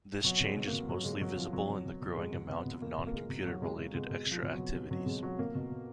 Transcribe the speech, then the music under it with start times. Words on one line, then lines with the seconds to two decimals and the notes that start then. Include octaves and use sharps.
This change is mostly visible in the growing amount of non-computer related extra activities.
0.24 B2 F#3
0.40 B2
0.45 G#3
0.57 B2
0.67 B2 A#3
0.88 B2 F#3
1.04 B2 G#3
1.21 B2 F#3
1.37 B2 F3
1.53 B2 F#3
1.69 B2
1.85 B2
2.01 B2
2.17 B2 G#3
2.33 B2
2.49 B2 B3
2.65 B2
2.82 B2 A#3
2.98 B2
3.07 A#3
3.13 B2 G#3
3.29 B2
3.46 B2 F#3
3.62 B2 G#3
3.77 B2 G#3
3.94 B2 G#3
4.10 B2 G#3
4.26 B2
4.31 F3
4.43 B2
4.53 F#3
4.58 B2
4.74 B2
4.91 B2 F#3
5.06 B2 G#3
5.22 B2 F#3
5.38 B2 A#3
5.55 B2
5.70 B2